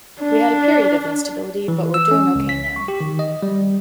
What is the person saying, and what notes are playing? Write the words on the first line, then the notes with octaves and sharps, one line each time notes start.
We had a period of instability but we're doing ok now.
D4
E3
E6
C#4
C#2
B6
C#6
G4
D#3
D#5
G3